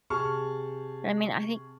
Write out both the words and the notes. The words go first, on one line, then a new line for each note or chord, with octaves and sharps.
I mean, I think
C3 G#4 A5 C#6 F6